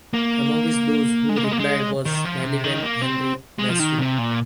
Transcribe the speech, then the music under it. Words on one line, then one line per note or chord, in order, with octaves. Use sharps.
Amongst those who replied was Melville Henry Massue.
A#3
G#3
A#3
G#3
A#3
G#3
D#3
F3
C3
D#3
A#3
C4
G#3
F3
D#3
C3
A#2